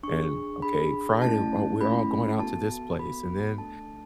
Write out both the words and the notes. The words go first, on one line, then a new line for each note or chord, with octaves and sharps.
and, "Okay, Friday. Oh, we're all going out to this place and then,
D4 G#4 C#6
D4 G#4 B5
A3 C#4 E4 A5
A3 C#4 E4 B5
B3 F#4 A4 A5
B3 F#4 A4 B5
A3 D4 A4 A5